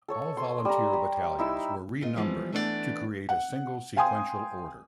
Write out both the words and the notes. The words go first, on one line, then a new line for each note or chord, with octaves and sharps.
All volunteer battalions were renumbered to create a single sequential order.
A4 C#5 C#6
C#5 C6
G3 A#5
G4
D#4 E4 B5 E6
A#2 F4 D#5
E3 F3 G3 G#3 B3
E3 A3 B3 D4 E4 D5
F#5
F5 G5 G#5 C6 D#6